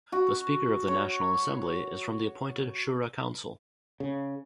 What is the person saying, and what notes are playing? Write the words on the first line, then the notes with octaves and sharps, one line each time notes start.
The speaker of the National Assembly is from the appointed Shura Council.
F#4
C#5
C#3